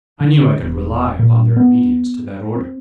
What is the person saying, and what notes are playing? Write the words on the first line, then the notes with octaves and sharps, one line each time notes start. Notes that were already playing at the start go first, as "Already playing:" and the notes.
I knew I could rely upon their obedience to that order.
D3
E1
A#2
B3
C4